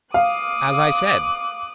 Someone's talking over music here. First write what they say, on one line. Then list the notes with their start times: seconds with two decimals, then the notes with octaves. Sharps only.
"As I said."
0.14 F5 D6 D#6 F#6